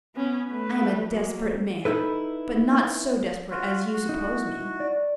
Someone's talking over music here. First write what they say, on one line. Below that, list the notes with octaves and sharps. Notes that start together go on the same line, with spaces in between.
I am a desperate man, but not so desperate as you suppose me.
B3 C#4
A3 B4
F#3 A#3
D#4 E4 A4 B4
F4 F#4
F#4
D#4 E4
D5